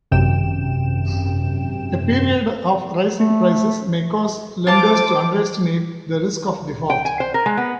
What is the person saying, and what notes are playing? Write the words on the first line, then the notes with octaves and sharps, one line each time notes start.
A period of rising prices may cause lenders to underestimate the risk of default.
G#1 F#2 C3 G5 E7
A3
F4 C5 A5 D6
G5
G#5
C5
A#4
G#3
B3